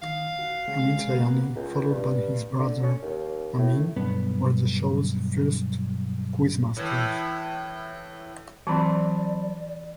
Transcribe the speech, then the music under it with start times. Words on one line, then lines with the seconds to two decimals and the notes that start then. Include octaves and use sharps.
Hamid Sayani, followed by his brother Ameen, were the show's first quizmasters.
0.02 D#3 F5
0.39 F#4
0.68 C#3 G#3
1.16 A#3 B3 F#4
1.56 C#2
1.90 G2
2.59 D3
2.82 C#4
3.02 D#2
3.58 A2
3.96 B1 G2 B3
6.77 A2 E3
8.67 E3 F#3 C4 D5 A5 B5 C6